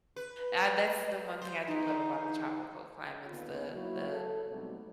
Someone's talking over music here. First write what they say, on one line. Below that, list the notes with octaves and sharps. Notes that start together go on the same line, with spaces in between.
ah, that's the one thing I do love about the tropical climates, the the
B4
C5
E2 D#4
D#2 D3 B3 F4
F#3 A#3 E4 F#4
A4
G#2 B2 F#3 G3 A3 C4